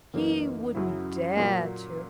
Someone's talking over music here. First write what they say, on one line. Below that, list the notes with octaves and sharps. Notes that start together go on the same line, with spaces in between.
He wouldn't dare to.
F#2 E3 A#3 D#4
F#2 C#3 F#3 C#4 E4
A#2 F#3 A#3